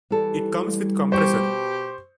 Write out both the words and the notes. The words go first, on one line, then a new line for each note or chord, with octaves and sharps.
It comes with Compressor.
E3 G3 A4
B2 G4 C5 C#6